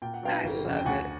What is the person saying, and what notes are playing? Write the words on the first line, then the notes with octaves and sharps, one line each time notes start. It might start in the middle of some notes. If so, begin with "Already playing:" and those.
I love it.
A#2 G5
F#5
F#3 B3 D4 F5 G5
G1
F2 C#3
G5
D2 F#5 G#5